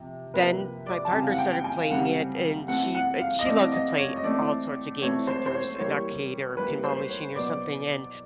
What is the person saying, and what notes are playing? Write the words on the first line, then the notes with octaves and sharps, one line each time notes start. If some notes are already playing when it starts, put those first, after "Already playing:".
then my partner started playing it, and she uh, she loves to play all sorts of games if there's an arcade, or a pinball machine, or something, and
Already playing: C3 F3
C3 F3 A#3 B4
D5
A5
C#3 E3 G3 C4 G#5
F5
F#5
G5
G5
G#5
F5
C#3 E3 G3 C4 F#5
E3 A3 C4 F#5
F#5
F5
D#5
E3 A3 C4 D5
D#5
C#5
D#5
E3 A3 C4 D5
E3 A3 C4 C#5
C5
C5
C#5
E3 G3 A#3 C#5
E3 G3 A#3 B4
C5
C#5
B2 F#3 B3 D5